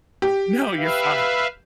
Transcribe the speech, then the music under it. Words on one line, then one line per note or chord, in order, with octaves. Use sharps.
No, you're fine.
G4
B4 E5 F5